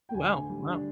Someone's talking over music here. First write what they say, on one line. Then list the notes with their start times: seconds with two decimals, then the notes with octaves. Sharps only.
Wow, wow.
0.09 G5
0.14 D2 G#5
0.32 D3
0.49 G3
0.67 D4